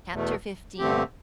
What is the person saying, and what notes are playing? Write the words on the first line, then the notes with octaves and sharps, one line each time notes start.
Chapter XV.
E2 B2 A3
G2 D3 A3 C4 G4